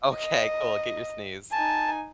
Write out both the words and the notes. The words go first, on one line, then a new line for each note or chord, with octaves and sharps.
Okay, cool. Get your sneeze.
D#5
D#4 G#5 A5